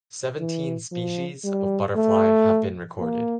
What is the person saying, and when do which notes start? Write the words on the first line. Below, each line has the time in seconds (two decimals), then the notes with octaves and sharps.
Seventeen species of butterfly have been recorded.
0.39 E3
0.92 F3
1.44 G3
1.96 A3
3.00 A#3